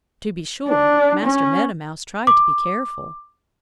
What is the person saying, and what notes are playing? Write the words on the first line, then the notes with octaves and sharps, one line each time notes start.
To be sure, Master Meadow Mouse tried to be careful.
D4
C#4
D6